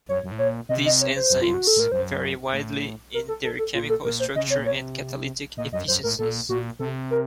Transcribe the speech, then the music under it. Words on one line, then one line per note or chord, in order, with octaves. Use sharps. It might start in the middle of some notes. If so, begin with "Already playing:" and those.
These enzymes vary widely in their chemical structure and catalytic efficiencies.
F#2 C#5
F#2
A2
A#2 C#5
C3 D#5
D#5
C#5
C5
F#2
F#2 F4
F#4
A4
A2 A#4
F#2 C5
A2
A#4
A4
A4
A4
A#2 F4
A4
A#2 A#4
C5
C#3 D#5
C3 C#5
A#2
C#5
C3
A#2 D#5
F#2 D#5
F#2 C5
A2 A#4
A#2 A4
A#2 F#4
C3 A4
A#4